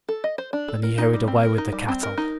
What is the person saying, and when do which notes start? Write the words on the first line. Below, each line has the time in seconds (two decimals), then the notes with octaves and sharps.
Then he hurried away with the cattle.
0.08 A4
0.24 D#5
0.38 C5
0.53 D4
0.68 A4
0.83 A#4
0.98 D#4
1.14 G3
1.28 C4
1.43 A#4
1.58 D#4
1.72 G3
1.88 C4
2.03 A#4
2.18 D#4